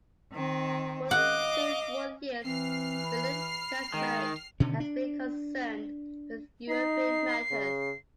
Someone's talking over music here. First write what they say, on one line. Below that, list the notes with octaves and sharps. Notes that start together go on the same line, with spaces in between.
For several years Filip Kaczmarek has been concerned with European matters.
D#3 C4
D#5 F5 F#5 D6
E3 C4 F6 C7
B5
D#3 G#3 G5
B2 D3 D#3 C#4
D4
D#4 C7
C#3